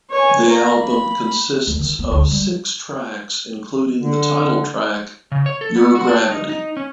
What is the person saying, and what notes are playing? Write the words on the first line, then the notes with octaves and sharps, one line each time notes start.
The album consists of six tracks including the title track "Your Gravity".
C#5 G#5
A#3 A#5
B5
D2
D#3
B3
D2
G3
D3
C#3
C#5
A4
B3
F#4
D4
D#4
D#4
C#4